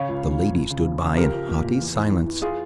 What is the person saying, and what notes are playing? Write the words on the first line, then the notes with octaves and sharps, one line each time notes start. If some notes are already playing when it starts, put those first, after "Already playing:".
The lady stood by in haughty silence.
Already playing: C#3 C#5 F5
C#2
C#2
F3
C#2
C#3
F3
C#3
F3 G4 A#4
F3
A#3
A#2
E2
E2
E3
E3
F4 G#4